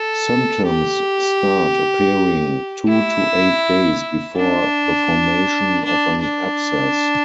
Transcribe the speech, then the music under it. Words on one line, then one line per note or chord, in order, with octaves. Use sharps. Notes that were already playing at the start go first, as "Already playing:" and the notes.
Symptoms start appearing two to eight days before the formation of an abscess.
Already playing: A4
G4
E4
D4
D4
D4